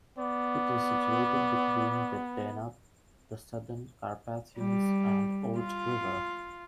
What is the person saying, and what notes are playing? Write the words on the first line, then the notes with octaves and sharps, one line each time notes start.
It is situated between the Danube, the Southern Carpathians and the Olt river.
B3 D5
G3
F4